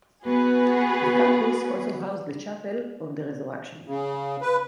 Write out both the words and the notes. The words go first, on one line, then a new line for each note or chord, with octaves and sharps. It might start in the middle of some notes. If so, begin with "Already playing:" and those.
The campus also housed the Chapel of the Resurrection.
B3 F#4 G#4 B4
C#3
B4